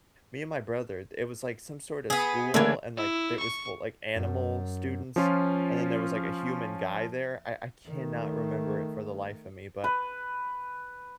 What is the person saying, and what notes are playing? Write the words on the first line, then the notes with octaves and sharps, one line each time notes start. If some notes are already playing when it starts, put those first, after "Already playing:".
me and my brother, it was, like, some sorta school and, like, it was for, like, animal students, and then there was, like, a human guy there, I I cannot remember it for the life of me, but
B3 G#4
D3 E3 A3 A#3 G#6
E4
C#6
F#2
F3 C#4 F4
D#3 A3
B4